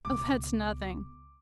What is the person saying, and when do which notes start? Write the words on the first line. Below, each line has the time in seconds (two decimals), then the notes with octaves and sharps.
"Oh, that's nothing."
0.05 C#2 B2 D6